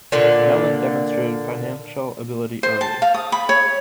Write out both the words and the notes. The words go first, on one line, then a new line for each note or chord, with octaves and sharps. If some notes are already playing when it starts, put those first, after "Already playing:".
Mellon demonstrated financial ability early.
A#2 D3
C5
A5
F5
D#6
B5
C#5